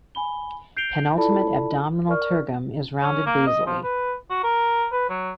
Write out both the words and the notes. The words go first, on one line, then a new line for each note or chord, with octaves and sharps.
Penultimate abdominal tergum is rounded basally.
G#5 B5 G7
G6 C7 D7 F7 G7
E4 F4 A4 D5 A5 B5
A#4 D5 C#6 F6
C#4
A#3
D#5
F3
B4
F#4
A#4
B4
F#3